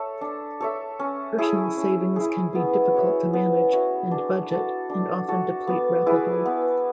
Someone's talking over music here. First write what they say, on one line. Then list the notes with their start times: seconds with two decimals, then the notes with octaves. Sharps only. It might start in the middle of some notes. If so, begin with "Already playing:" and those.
Personal savings can be difficult to manage and budget and often deplete rapidly.
Already playing: A4 C#5 E5
0.21 D4
0.61 A4 C#5 E5
1.00 C#4
1.38 E4 G#4
1.77 C#4
2.16 E4 G#4
2.55 B3
2.94 F#4 C#5 E5
3.33 B3
3.73 F#4 C#5 E5
4.11 D4
4.50 F#4 A4 D5
4.90 D4
5.28 F#4 A4 D5
5.67 B3
6.06 E4 G#4 B4
6.46 B3